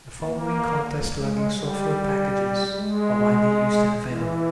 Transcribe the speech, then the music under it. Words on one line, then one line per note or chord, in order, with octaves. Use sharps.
The following contest logging software packages are widely used and available.
A#3
G#3
G3
G#3
E3